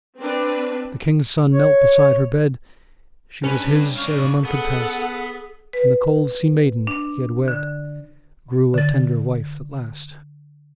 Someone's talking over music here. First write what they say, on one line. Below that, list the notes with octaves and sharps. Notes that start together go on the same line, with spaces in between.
The king's son knelt beside her bed: She was his ere a month had passed; And the cold sea-maiden he had wed Grew a tender wife at last.
C4 D4 B4
C#5
G2 C#4 B4
D4 F5 C#6
B3 G#4 A4 F#5
B4
D4
D3
D3 A6